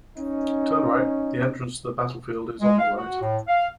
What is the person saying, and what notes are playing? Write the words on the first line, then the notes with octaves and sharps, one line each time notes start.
Turn right; the entrance to the battlefield is on the right.
C#4 D#4
G#3
F5
F#4
A2
F5